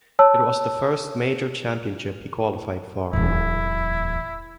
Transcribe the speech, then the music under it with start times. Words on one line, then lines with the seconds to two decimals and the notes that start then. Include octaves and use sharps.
It was the first major championship he qualified for.
0.19 C#5 A5 E6
3.13 D1 E2 E4